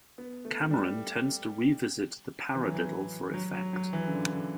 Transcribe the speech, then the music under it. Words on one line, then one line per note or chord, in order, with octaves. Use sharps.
Cameron tends to revisit the paradiddle for effect.
B3
A3
G3
E3
F#3
E3
F#3
F#3
F#3
E3
C#3
D3
D3